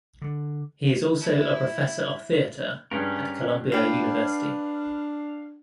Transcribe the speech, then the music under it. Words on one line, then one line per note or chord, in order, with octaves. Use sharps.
He is also a professor of theater at Columbia University.
D3
E4
G2 C#4 G4 G#4 A#4
D4 B4 F5 G5